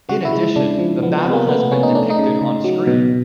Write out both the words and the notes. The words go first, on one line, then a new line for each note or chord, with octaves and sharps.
In addition, the battle has been depicted on screen.
C#3 F#4
E4
G#3
C#3 D4
F3
F3 B3
B3
C3
A#3
A3 B3
B3
A3 C#4
D#4
A3 D4
D#4
C#3
C#3
F#3
B2